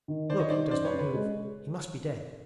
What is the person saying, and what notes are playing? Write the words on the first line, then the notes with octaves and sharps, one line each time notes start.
Look, he does not move--he must be dead!
D#3
D#3 C5 D5
C#5 D#5
D#4 C5 D5
F#2 C5 D5
B4 C#5
C#3
B4 C#5
G#3